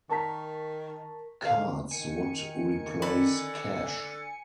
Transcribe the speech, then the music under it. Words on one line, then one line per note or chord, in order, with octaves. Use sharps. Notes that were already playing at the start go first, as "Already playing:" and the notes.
Cards would replace cash.
D#3 A#4 A5 A#5 C#6 B6
D3 F5
D#3 G#5 C#7
D3 D5 B5